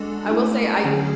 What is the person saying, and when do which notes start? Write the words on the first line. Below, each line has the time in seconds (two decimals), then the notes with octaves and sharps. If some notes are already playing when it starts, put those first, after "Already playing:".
I will say I
Already playing: G#3 D4 F#4 A4
0.28 A3 C#4 E4
0.84 D3 F#3 C#4 G#4